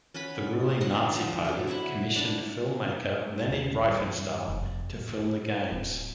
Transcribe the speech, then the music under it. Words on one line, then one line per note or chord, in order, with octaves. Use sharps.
The ruling Nazi Party commissioned film-maker Leni Riefenstahl to film the games.
C#4 B4 F#5 B5
D3 D#5 F#5 C6
F3 C5
D3 F#3
E4 C#5 E5 F#5
D4
D#2
G2
F1
A2 F4
D1